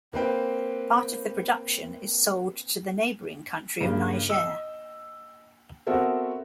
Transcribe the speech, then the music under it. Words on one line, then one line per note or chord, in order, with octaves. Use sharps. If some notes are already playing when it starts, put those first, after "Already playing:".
Part of the production is sold to the neighbouring country of Niger.
A#3 C4 B4 G5
G2 C#3 G3 A#3
D#5 E6
B3 C4 F#4 A4 A#4 E5